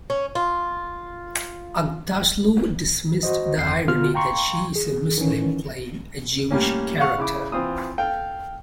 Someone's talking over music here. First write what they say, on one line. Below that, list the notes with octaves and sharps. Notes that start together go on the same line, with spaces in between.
Aghdashloo dismissed the irony that she is a Muslim playing a Jewish character.
C#4
F4
F#4 C5 D#5
G1 F2 G6 C7
D3 B3 F4 F6
F5 G5 A#5 C6 C#6
G#4
D#3 E3 C#4
A2 G3 A#3 C#4
F5 F#5 C#6
C#3 E4 D6
E3 C4 F4 D#6
A4 F5 G5